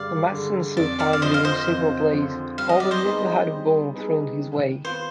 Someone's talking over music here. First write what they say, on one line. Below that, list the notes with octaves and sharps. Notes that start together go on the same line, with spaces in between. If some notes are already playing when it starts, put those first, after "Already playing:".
Thomason saw time during several plays, although never had a ball thrown his way.
Already playing: G2 D3 G#3 D5 F5
D3 G#3
F2 D5
D5 F5
F5
D3 F3 C5 D#5
F5
C5 D#5
F2
D3 F3
G3 F5
D#5
D5
C5 D#5
B3 D#4 G#4
G3
B3 D#4 G#4
D#3
B3 F4 B4 C5